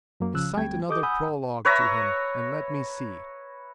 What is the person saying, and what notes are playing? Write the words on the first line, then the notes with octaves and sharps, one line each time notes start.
Recite another prologue to him and let me see.
F#2 F#3 A#3
C#2 C#3 F3 C#4 E6 F#6
D2 G3 A3 C4 G5 G#6
G4 A4 D#5 D6 D#6 G6
F#5 G#5 B5 D#6 E6 G6
B4 C#5 E5 A#5